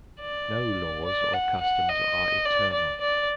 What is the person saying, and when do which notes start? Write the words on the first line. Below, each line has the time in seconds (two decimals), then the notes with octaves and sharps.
No laws or customs are eternal.
0.21 D5
1.05 D5
1.34 F#5
1.61 F#5
1.89 D#5
2.45 D5
2.73 D5
3.01 D5